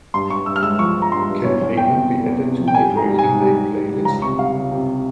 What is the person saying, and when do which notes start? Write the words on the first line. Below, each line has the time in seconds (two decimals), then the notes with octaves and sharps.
Can amen be added to my working day playlist?
0.14 G2 C6
0.30 G2 C#6
0.46 G2 E6
0.56 F6
0.62 G#3 E6
0.79 F3 C#6
0.96 F3
1.02 A#5
1.12 G2 C6
1.28 G2
1.44 E2 C#5
1.61 E2
1.77 E2 G5
1.93 C3
2.10 E2
2.26 E2
2.42 C3
2.59 F3
2.68 G5
2.75 G3 G#5
2.92 G#2
2.97 A#5
3.08 G3
3.19 G#5
3.24 G#2
3.40 G3
3.57 G3
3.73 G3
3.90 G3
4.05 C#2 A#5
4.22 C3 C#6
4.39 G3 F5
4.55 C#2
4.71 C3